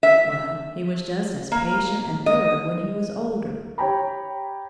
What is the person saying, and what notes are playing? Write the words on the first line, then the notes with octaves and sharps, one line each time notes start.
Well, he was just as patient and thorough when he was older.
E5
A#3
D#5
G4 C#5 G5 A#5 B5